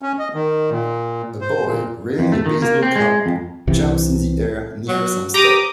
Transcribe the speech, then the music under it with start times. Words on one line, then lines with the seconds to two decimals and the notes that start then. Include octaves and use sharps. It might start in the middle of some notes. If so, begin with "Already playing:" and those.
A boy, wearing a baseball cap, jumps in the air near some steps.
0.02 C#4
0.19 D#5
0.34 D#3
0.70 A#2
1.41 C5
1.66 A#2
2.19 F2
2.32 A3
2.46 D#3
2.62 A#3
2.83 C4
2.96 G#3
3.26 F2
3.67 C2 C3 E3
4.88 F#3
5.34 G4 A#5 D6 D#6